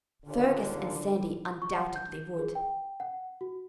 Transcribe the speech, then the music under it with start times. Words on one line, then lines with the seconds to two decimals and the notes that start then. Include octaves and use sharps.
Fergus and Sandy undoubtedly would.
0.24 D#2 A#2 D3
1.62 C#6
1.76 F#5
1.96 G6
2.39 G#4
2.55 G5
3.00 F#5
3.41 F#4